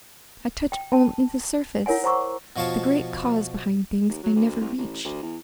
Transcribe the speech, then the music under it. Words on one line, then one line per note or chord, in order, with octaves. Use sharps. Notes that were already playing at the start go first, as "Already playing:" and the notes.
I touch only the surface. The great cause behind things I never reach.
G5
A5
E4 A#4 C#5 F#5 G#5
C5 F#5 A#5 C#6 D6 E6
B2 F3 C#5 F5 A5
D#2
F#3
D2
C2
A1
D2
E2